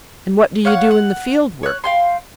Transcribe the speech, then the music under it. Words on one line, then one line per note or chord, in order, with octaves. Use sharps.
"And what do you do in the Field Work?"
C#5 F5 F#5 C#6
F#5
C#5 F#6
F5 G5 C6